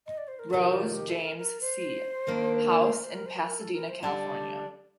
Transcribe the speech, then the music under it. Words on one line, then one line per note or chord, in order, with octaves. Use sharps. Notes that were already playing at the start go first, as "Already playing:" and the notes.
Rose, James C. House in Pasadena, California.
D#5
D5
C5
A#4
F2 C3 D#3 A4
F4
G4
A4
A#4
A#4
C5
D#2 D#3 A#3 D4
D5
C5
A#4
C5
A#4
C5
A#4
A#4
A4
A#4
C5
D3 G3 D4 D5